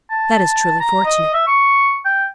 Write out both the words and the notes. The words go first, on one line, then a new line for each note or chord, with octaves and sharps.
"That is truly fortunate."
A5
A#5
D#5
E5
C#6
G5